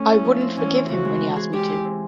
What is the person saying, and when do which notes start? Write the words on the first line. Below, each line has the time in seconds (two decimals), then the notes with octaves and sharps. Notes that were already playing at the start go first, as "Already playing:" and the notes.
I wouldn’t forgive him when he asked me to.
Already playing: A3 C4 C#4
0.09 E4
0.25 F3
0.41 C4
0.57 E3 C#4
0.73 C4
0.88 C#3 F#4
1.05 G#3
1.21 B3
1.36 G#4
1.53 G#3 G4
1.68 E4
1.84 C4